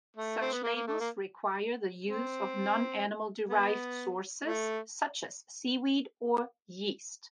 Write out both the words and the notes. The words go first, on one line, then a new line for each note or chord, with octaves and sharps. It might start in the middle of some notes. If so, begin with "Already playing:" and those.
Such labels require the use of non-animal derived sources, such as seaweed or yeast.
A3
C4
B3
A#3
A#3
A3
A#3
C4
B3
A3